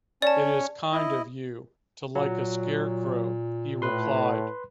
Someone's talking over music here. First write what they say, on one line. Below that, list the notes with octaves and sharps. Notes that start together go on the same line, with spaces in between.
"It is kind of you to like a Scarecrow," he replied.
C#4 C#5 D5 A5
E4 D#5
A#2 F#3
A2 B4 C6